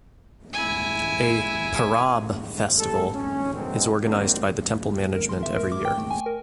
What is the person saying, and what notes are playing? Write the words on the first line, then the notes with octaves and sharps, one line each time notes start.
A "Parab festival" is organised by the temple management every year.
E4 G#5
G3 A4
C#4
F#2 B2 D3 F#3 G#3 C4
D#3 F#3 A#3 C4 D4
A#4
C6
E5
A#4
D6
G5
A3
G#5
A#4